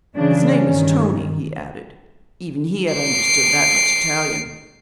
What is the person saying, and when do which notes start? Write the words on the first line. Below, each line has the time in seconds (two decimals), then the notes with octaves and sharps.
'His name is Tony,' he added--even he had understood that much Italian.
0.16 C#3 E3 C#4 D4
0.64 G2 D#3
2.93 C7 D7